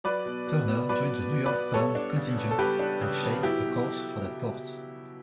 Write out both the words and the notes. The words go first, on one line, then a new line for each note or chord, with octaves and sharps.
"Turner" joined the New York-bound contingent and shaped a course for that port.
F#3 B4 D5
B2
B2
B3
F#3 B4 D5
B2
B2
B4 D5
B3
G3 A4 C#5
D4
C#3
B3
A4
G3 G4 B4
D4
C#3
B3
F#3 E4 G4
B2